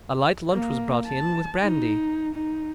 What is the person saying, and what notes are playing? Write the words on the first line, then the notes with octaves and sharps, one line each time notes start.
A light lunch was brought in, with brandy.
A#3
A5
D#4
D#4